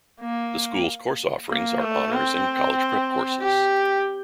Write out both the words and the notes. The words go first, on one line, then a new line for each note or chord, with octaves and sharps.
The school's course offerings are honors and college-prep courses.
A#3
A#3
A3
C4
G4